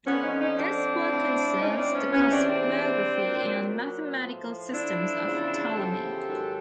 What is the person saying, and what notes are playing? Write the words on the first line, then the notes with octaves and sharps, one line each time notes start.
This work concerns the cosmography and mathematical systems of Ptolemy.
F2 D3 F3 B3 C#4
C#4 D#4
C#4 D#4
C4 D4
A2 F3
C#4 D#4
D#4
C4 D4
B3 C#4
E2 C3 E3 B3 C#4
C4 D4
C4 D4
A#2 F#3
A2 F3
D4 E4
E2 C#3 F3
G4 A4
G#2 D#3 F#3